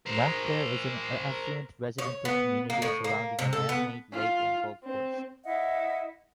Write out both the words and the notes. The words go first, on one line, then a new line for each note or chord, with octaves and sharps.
Montclair is an affluent residential community surrounding a man-made lake and golf course.
A#4 C5
C#5
B3
A#3
A2
A#3
C3
A4
B3
F4
C4
E4 D#5 E5 F#5